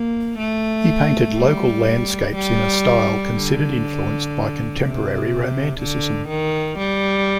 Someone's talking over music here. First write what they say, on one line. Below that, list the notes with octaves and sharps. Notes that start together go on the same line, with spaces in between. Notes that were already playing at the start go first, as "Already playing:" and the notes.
He painted local landscapes in a style considered influenced by contemporary Romanticism.
Already playing: A#3
A3
G3
G3
D3
C3
D3
D#3
G3